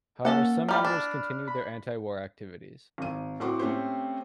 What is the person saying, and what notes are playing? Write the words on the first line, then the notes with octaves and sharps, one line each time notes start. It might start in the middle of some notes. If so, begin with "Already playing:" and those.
However, some members continued their anti-war activities.
A#3 C#4 A4 F#5
F#3 G3 A3 B5 F6
D4
B5
G#1 D#7
A2 C4 F#4 C6 D6
A3 C4 C#4 G4 C5